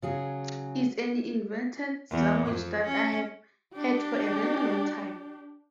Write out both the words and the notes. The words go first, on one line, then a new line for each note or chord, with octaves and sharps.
It's an invented language that I've had for a very long time.
C#3 F#3 G#4
E2
F2
C#4
D4 G4